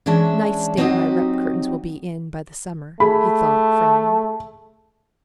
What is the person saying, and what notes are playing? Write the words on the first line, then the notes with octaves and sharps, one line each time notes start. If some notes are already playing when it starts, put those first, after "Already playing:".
"Nice state my rep curtains will be in by the summer!" he thought, frowning.
E3 G#3 C#4 D4 E5 A5
F#3 C4 D#4 F#4 G4 D#5
A3 G#4 B5